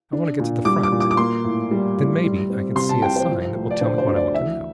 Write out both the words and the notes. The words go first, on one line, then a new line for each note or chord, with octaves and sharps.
"I want to get to the front. Then, maybe, I can see a sign that will tell me what I want to know."
D4
A#2
G3 D6
D6
A#2
D6
D6
A#3 C6
A2
G3
A2
G3
C4
C3 C6
A5
C2 G5
C5
F3
A3
D5
D3 C5
C5
D2
D5
E3 E5